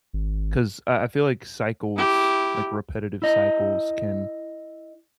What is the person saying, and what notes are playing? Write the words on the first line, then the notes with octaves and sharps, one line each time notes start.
'Cause I I feel like cycles, like repetitive cycles can
G#1
E4 G4
E4 D#5